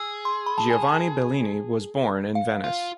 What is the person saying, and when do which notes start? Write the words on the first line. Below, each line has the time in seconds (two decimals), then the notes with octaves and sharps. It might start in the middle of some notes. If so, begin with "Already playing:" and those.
Giovanni Bellini was born in Venice.
Already playing: G#4 E6
0.25 C6
0.46 B5
0.58 A5
0.70 G#5
0.83 A5
2.35 F5
2.64 F4